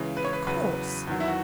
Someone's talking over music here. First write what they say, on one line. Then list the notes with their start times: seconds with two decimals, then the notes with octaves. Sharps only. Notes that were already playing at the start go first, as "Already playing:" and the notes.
"Of course."
Already playing: C#2 C#3 E3
0.17 B4
0.25 C#5
0.33 B4
0.47 E2 C#3 F#3 B4
1.07 E2 D#3 F#3
1.20 E4
1.28 F#4